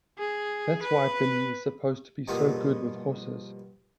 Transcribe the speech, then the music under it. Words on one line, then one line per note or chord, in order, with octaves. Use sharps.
That's why Billy is supposed to be so good with horses.
G#4
B4
G2 B2 F3 A#3 B3